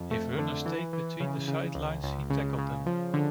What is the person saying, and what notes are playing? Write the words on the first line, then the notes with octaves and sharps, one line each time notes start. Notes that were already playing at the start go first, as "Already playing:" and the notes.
If runners stayed between the sidelines, he tackled them.
Already playing: F2
A3
D3
E3
E3
C#3
C#3
C#2
C#2
C#3
C#3
F3
D3